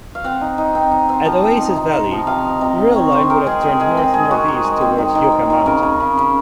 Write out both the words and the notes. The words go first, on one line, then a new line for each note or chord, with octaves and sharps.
At Oasis Valley, the rail line would have turned north-northeast towards Yucca Mountain.
F5
C4 F#5
D#4
D#4
C4
D#4
C4
F3
C4
D#4
C3
D#4
F3
C3 F5
D#4
C3 D#5
D#4
C4 C#5
D#3 C5
C4 A#4
G#3 G#4
C4 G#4
G#3 G#4
C4 A#4
G#3 G#4
D#3 F#4
D#3
G#3
C4
D#3
D#3
C4
D#3
C#3 A#4
C#3
C#3
C#3